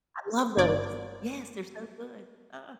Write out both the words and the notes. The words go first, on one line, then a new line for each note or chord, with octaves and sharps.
I love those. Yes, they're so good, uh.
G1 D5